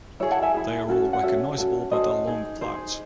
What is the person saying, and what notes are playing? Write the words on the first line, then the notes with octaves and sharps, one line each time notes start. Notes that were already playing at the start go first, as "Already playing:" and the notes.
They are all recognizable by their long plaits.
E4 G#4 C#5
F#5 A5
E5 G#5
E4 G#4
C#4 F#4 A4
F#5
C#4 F#4 A4 C#5 E5
C#4 F#4 A4
C#4 F#4 A4 C5 D#5
D#4 G#4
D#4 G#4 C5